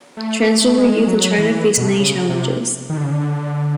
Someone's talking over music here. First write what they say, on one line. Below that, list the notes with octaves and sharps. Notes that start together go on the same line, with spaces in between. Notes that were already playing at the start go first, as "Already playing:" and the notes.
Transgender youth in China face many challenges.
A3
A#3
A3
G#3
F#3
E3
B2
C3
C#3
C3
D#3
D3
C#3
D3